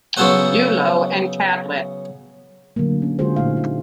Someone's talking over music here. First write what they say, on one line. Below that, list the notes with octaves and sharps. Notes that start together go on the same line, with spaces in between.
Bulo and Cadlit.
C#3 F#3 B3 A4 C5 F#5
D3 F#3 A3 A#3
C#4
D3 G#3 F4 F#4 G#4 C5
A#2 D3 A3 D#4 F5
E4